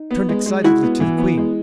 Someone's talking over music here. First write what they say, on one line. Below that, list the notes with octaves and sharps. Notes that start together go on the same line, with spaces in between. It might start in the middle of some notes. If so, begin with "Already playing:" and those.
He turned excitedly to the Queen.
Already playing: D#4
B3
G#3
G#3
G#3 E4 F#4
B3
E3
B3
G#3